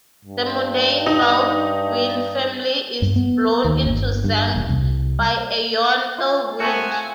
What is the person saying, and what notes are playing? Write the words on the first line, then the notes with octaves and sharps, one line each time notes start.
The Mundane Baldwin family is blown into Xanth by a Yon Ill Wind.
G2
D#4
G2
B3
D#2
G1
G2
E1
C2
F4
A3 B3 C4 F#4 G#5